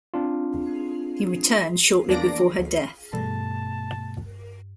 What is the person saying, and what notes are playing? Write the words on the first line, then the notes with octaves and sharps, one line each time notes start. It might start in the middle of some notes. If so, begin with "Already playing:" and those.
He returned shortly before her death.
C4 D4 F4
E2 A#3 D4 D5 A#6 D7
D2
G2 B2 E3 G3 A3 A4 A5